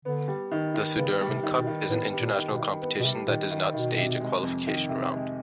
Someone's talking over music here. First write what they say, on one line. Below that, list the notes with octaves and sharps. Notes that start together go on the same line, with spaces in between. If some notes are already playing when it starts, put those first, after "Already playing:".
The Sudirman Cup is an international competition that does not stage a qualification round.
D3 B3
G3
D#3
D#3
C#3 B3
G3
C3
D#3
B2
D#3
A2 B3
G3
A#2
D#3
B2
D#3
B3
B2
C3 G3
A#2 D#3
D#3
B2 D#3
C3
G#3
F2
D#3
C3
G#3